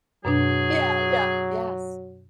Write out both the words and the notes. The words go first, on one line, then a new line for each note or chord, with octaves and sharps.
Yeah, yeah, yes.
F#2 B2 F#3 D4 G#4